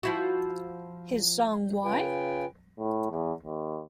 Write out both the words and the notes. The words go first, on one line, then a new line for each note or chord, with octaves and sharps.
His song Why?
F3 E4 F#4
C#3 F4 B4 G5 G#5
A2
E2
D#2